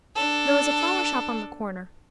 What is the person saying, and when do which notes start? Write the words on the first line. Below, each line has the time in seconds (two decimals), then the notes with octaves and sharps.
There was a flower shop on the corner.
0.15 D4 A4